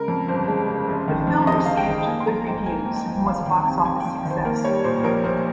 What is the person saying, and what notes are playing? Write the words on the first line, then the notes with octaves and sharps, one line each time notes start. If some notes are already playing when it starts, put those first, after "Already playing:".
The film received good reviews and was a box office success.
Already playing: C#3 G#3 A#4
F2
G1 C5
G#3
C#3
F1
D#3
F2
F1 D#5
F1 F5
G5
D#3
A#3 G#5
C6
F3 A#5
G#2 G5
G#1 G#5
A#3
G5
F3
F2 F5
D#3 G5
C3 G#5
F2 G#5
F2 G5
D#3
C5
A#3 A#4
G3 C#5
A#2 C5
A#1 A#4
A#3 C5